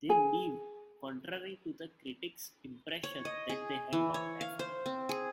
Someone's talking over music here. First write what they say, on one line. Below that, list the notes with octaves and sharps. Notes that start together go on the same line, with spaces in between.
They leave, contrary to the critics' impression that they have not left.
G#4 G#5
C#5
D#5
G#4
E3
C#5
F5
C5
C4
G#4